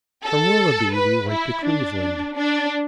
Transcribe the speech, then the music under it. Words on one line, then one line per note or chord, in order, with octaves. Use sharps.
From Willoughby we went to Cleveland.
A4
B4
E4
D4
D4